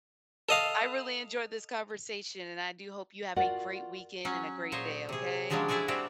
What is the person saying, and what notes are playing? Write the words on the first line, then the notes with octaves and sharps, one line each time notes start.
I really enjoyed this conversation, and I do hope you have a great weekend and a great day, okay?
A4 D#5 F5
F4 F#4 A#4 D5 F5 F#5
F#3 C#4
A#2 C5 C#5 D#5
C3 G#4
C#3 F3 F#3 G#3 D4 G4
A3 E4 G#4 A4 D5 G#5
G3 C4 F#4 G4